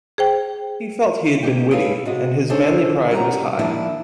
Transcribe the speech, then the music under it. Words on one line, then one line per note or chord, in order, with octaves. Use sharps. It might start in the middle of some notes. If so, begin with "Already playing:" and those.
He felt he had been witty, and his manly pride was high.
G#4 C5 G5
A#3 G4 D#5 G5
G#4 A4 B4 C#5 F5
C3 F#4 D#5
D4 D#4 G#4 A4 C5 C#5
G3 C#4 B4 D#5 F#5 A#5
D#3 F3 A#3 D4 E4